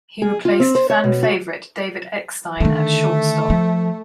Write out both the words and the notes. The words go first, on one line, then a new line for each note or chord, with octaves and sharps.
He replaced fan favorite David Eckstein at shortstop.
G#4
F4
C4
C5
C#5
B2
F#4
D3 D#3 A3
F3